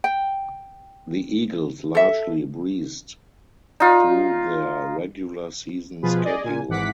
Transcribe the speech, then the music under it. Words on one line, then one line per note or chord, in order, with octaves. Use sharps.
The Eagles largely breezed through their regular season schedule.
G5
A4 E5
D#4 F4
B2 F3 F4 G#4 B4
G#4 D5 D#5
A#2 G#5
G#1 G#2 E3 F#5 D6 B6